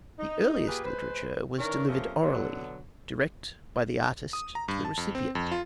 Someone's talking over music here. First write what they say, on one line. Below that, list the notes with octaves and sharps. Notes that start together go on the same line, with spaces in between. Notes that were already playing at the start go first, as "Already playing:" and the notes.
The earliest literature was delivered orally direct by the artist to the recipient.
D#4
A#3 F4 G4 G#4 B4
G#3 B4 C5
D#3 E3 C#4 D4 A#4
C3 F3 A3 A#3 C4 C#4
B2 D3 F#3
D#6
A#5
G2
A5
F2
C4
F2
F4